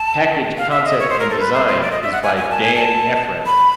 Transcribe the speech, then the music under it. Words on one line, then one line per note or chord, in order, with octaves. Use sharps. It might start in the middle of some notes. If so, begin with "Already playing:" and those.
Package concept and design is by Dan Efram.
Already playing: A5
F5
E5
D#5
C#5
C5
A#4
A4
B4
C5
C5
D5
D#5
E5
F#5
G#5
G#5
A5
G#5
A5
B5